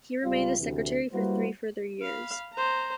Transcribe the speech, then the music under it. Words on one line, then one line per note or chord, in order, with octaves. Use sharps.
He remained as secretary for three further years.
C#2 G3 F4
D2 C3 E3
G3 A#3 E4 F#4 B4 C5
F5 B5
C5 A#5